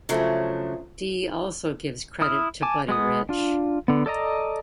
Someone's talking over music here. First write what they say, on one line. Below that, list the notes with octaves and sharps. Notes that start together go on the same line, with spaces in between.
Dee also gives credit to Buddy Rich.
C#3 F3 F#3 A3 D4
E4 D#6 F6
G#5 A5 D6
G#3 B3 D#6
D4 F4
D3 B3
A4 D5 D#5 A#5